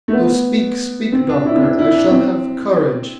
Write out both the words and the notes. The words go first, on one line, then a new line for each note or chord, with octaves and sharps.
"Oh, speak, speak, doctor; I shall have courage."
A3
B3
C4
D4
E4
C4
D4
E4
D4
C4